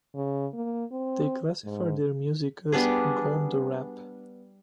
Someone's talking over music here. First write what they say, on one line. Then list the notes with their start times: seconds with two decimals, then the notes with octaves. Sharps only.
They classify their music as "Goonda Rap".
0.15 C#3
0.53 A#3
0.92 C4
1.64 G#2
2.72 G3 B3 D4 G#4